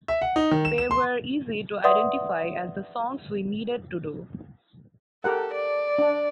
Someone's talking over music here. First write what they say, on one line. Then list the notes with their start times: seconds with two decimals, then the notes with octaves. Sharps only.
They were easy to identify as the songs we needed to do.
0.08 E5
0.22 F#5
0.36 D#4
0.51 D#3
0.65 E7
0.78 E7
0.91 C6
1.84 B4 D5 E5 F#5 C6 D#6
5.24 G4 A4 A#4 F#5
5.55 D5
5.98 D4